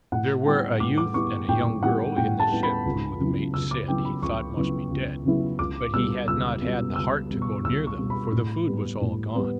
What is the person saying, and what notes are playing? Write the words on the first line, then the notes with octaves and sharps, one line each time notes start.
There were a youth and a young girl in the ship who the mate said he thought must be dead, but he had not had the heart to go near them, for the food was all gone.
A2 F#5
G3 B3 E4 G5
A2 D6
D6
G3 B3 E4 C#6
A2 G5
G3 B3 E4 F#5
A2 G5
A5
G3 B3 E4
B5
C#2
C#3 F#3 B3 E4
C#2 E6
D6
C#3 F#3 B3 E4 G5
B5
C#2 C#6
C#3 F#3 B3 E4
C#2
C#3 F#3 B3 E4
C#2 D6
B2 G3 E6
C#2 E6
B2 G3
C#2 E6
B2 G3
C#6
C#2 E6
C#6
B2 G3
B5
A2
G3 B3
A2
G3 B3